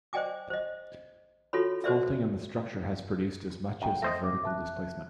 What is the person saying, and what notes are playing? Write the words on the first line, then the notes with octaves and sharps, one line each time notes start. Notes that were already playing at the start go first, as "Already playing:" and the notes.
Faulting in the structure has produced as much as of vertical displacement.
C5 D5 D#5 G5 G#5 D6
C5 D#5
F4 F#4 A4 C#5 B5
F#4 B4 C5 D5 E5
F#2 F#5 G5
A3 C5 D#5 A#6
D6
E5 A5 F#6